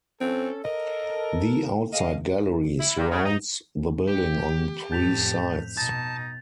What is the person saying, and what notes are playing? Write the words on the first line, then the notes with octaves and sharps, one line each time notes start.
The outside gallery surrounds the building on three sides.
C4 C#4 A4
A4 A#4 D#5
G#4 D#5 F5
E4
G2
C#3
D#4
G4 G5
F2 A2 A5 G6 B6 F7
B2 D#4 A5 A6